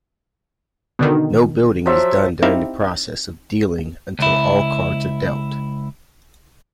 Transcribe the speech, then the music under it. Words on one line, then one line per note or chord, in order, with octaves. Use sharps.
No building is done during the process of dealing until all cards are dealt.
B2 D3 D#3
F3 F#3 E5
C4 D#4 E4 G4 E5 F5
C#2 E4